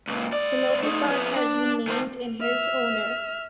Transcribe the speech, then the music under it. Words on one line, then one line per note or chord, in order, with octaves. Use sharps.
A local park has been named in his honour.
C#2 A#2
C#2 D5
A3 D#4
F2 B3
D4
D#3 C5
E5 F6